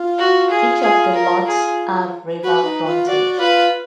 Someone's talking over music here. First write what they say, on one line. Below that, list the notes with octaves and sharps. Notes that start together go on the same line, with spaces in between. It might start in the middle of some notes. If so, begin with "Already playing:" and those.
Each of the lots have river frontage.
Already playing: F4
F#4
G#4
G#4
A#4
G#4
F#4 B4
D#4
F4
F#4 D5
F4 B4